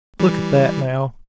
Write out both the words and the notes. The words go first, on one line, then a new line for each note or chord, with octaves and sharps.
Look at that, now.
E3 G3